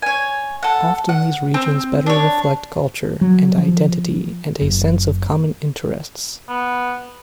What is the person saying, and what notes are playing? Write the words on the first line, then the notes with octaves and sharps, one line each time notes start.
Often these regions better reflect culture and identity and a sense of common interests.
C#5 G#5
A4 F#5
F#5
C4
D4 C#5
F#3
F3
F#1
B3